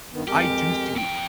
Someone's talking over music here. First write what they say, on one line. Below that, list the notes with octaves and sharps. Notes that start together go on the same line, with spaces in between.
I do see
G2 D#3 B3
F2 G#3 G4 A#4
F2 G5